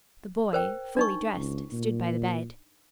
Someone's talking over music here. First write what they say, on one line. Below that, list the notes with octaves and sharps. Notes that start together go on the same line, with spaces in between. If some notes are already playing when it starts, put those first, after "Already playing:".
The boy, fully dressed, stood by the bed.
A#4 C5 G5
D4 D#4 C#6
C#2
A#2